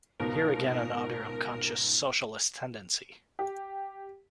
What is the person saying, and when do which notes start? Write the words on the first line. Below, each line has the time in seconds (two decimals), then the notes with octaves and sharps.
Here again another unconscious socialist tendency!
0.20 C#2 G#2 B2 A#4
3.39 G4